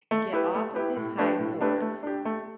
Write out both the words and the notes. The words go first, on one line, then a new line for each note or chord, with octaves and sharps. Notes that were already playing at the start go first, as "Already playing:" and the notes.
get off of his high horse
A3
E4 G4 B4
A3
E4 G4 B4
A2
A3 D4 G4 B4
A2
A3 D4 G4 B4
A3
D4 G4
A3